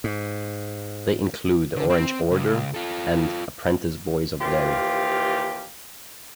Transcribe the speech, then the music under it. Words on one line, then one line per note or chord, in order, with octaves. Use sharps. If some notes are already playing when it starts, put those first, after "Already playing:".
They include the Orange Order and Apprentice Boys of Derry.
G#2
D3
C4
C#2
F4 A4
D#2 E3 F4 G4 F5